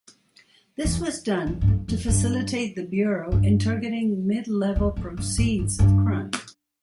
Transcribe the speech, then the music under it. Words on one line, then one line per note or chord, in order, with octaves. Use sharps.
This was done to facilitate the Bureau in targeting mid-level proceeds of crime.
E2
E2
G2
F2
F2
G2
G2
E2
F2
G2
A2
G2
G2